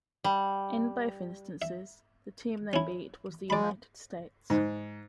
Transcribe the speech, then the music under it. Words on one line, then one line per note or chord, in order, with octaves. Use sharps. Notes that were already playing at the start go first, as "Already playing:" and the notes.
In both instances, the team they beat was the United States.
G3
E5
C#4 E4
G#3 D5 B5
G#2